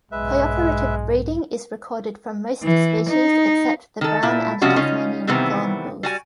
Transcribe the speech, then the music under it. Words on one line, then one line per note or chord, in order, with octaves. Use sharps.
Cooperative breeding is recorded from most species except the brown and Tasmanian thornbills.
B1 G#2 G#3 B4 E5
E3
D#4
D#3 A4
A#2 E4
C3 F3 G3 G#3 C#4 F#4
C#3 C#4 D#4 F4
C3 D#3 E3 G3 B3 C4
G3 F#4 G#5